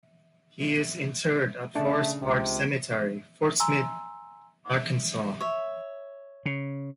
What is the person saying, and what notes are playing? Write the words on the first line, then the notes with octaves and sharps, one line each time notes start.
He is interred at Forest Park Cemetery, Fort Smith, Arkansas.
C#3 A3 D4 A5
C#2 C3
G#5 A#5 C6 E6
C#5 E5
C#3